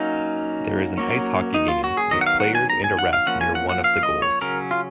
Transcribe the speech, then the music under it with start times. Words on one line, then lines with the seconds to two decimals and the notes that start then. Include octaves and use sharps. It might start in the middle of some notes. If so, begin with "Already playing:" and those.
There is an ice hockey game, with players and a ref near one of the goals.
Already playing: F#3 A#3 C#4 D#4
0.98 F#3 A#3 C#4
1.54 D#4
1.68 F4
1.84 F#4
1.97 G#4
2.11 D#3 F#3 B3 D#5
2.21 F#5
2.26 F5
2.40 F#5
2.55 G#5
2.70 A#5
2.84 G#5
2.99 F#5
3.13 F5
3.26 F3 A#3 C#4 F#5
3.41 G#5
3.55 F#5
3.69 F#5
3.84 F5
4.03 D#5
4.22 C#5
4.41 C#3 F#3 C#4 A#4
4.71 F4